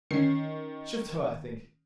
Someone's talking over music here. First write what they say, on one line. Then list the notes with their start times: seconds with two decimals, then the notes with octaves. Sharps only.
'Shift ho, I think.
0.11 D#3 C#4 C7